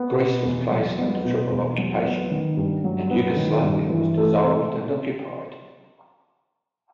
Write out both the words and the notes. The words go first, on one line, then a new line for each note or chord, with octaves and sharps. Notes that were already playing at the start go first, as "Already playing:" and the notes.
Greece was placed under triple occupation, and Yugoslavia was dissolved and occupied.
Already playing: B3
B2
E2
F#3
B3
B2
E2
F#3
B3
D#3
G2
F#3
B3
D#3
G2
E3
A3
C3